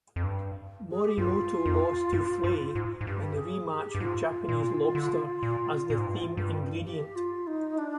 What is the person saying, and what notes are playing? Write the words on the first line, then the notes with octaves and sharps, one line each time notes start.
Morimoto lost to Flay in the re-match with Japanese lobster as the theme ingredient.
F2
G2
G#4
G4
G2 F4
F2
G2
G2
G#2
G#2
G2 G4
G#4
G4
G2
G#2 F4
A#2
D3
A#2
A#2
G#2
G2
G#2
G2
G4
F4
D#4
D4